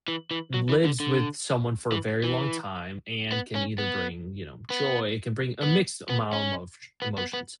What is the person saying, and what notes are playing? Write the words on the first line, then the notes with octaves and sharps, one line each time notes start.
lives with someone for a very long time and can either bring, you know, joy it can bring a mixed amount of sh emotions.
E3
E3
F#3
E3
D3
D3
E3
E3
B3
C#4
B3
B3
B3
B3
C#4
B3
B3
B3